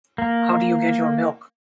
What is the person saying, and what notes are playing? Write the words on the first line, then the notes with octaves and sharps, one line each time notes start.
How do you get your milk?
A#3